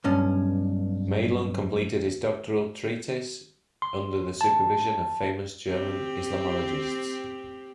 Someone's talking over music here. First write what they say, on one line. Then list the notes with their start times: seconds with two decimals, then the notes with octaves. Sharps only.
Madelung completed his doctoral treatise under the supervision of famous German Islamologists.
0.04 B1 G2 C#4
3.82 C6
4.41 A5
5.68 C4 G4